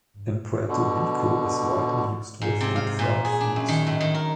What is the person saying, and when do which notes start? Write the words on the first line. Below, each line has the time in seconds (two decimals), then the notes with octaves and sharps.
In Puerto Rico, is widely used with and fried foods.
0.68 B2 D3
2.42 G#2
2.61 C3
2.76 F5
2.99 A#2
3.25 G#4
3.41 D4
3.56 F#2
3.68 D#3
3.87 A2
4.00 D#3
4.14 A#4